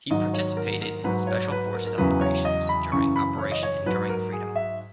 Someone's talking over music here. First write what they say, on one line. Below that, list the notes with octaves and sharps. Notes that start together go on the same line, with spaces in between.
He participated in special forces operations during Operation Enduring Freedom.
G#2 D#3 F#3 D#5
C#5
A#4
A#4
G#2 F#3 B4
C#5
B4
A#4
A#4
E2 C#3 F#3 B4
C#5
D#5
B5
F#2 C#3 E3 C#6
B5
C#5
D#5
C#5
G#2 F#3 B4
A#4
G#4
E5